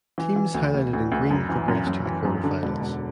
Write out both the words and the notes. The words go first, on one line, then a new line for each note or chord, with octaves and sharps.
Teams highlighted in green progress to the Quarter Finals.
E3
E3
D2
D2
D2
D2
F#2
E3
F#2
F#2
E3
F#2
D3
E1
E1